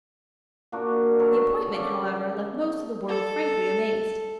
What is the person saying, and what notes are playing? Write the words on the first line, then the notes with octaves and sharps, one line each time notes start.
The appointment, however, left most of the world frankly amazed.
A#2 A#3 D4 F#4
A4 A#4 C#5
C#3 D5
A4